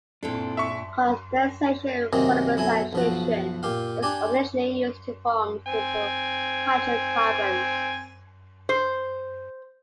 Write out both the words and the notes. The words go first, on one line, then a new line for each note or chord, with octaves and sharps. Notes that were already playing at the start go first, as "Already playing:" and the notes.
Condensation polymerization is occasionally used to form simple hydrocarbons.
A#2 C4 D4 E4 A4
E5 C#6
C3 D#3 F#3 G#3 A#3 C4
B1 F#3 E4 A4 G#5
B1 F3 F#4
A#2 G4 F5
D4 G4 D5 G#5
C4 G#5
C5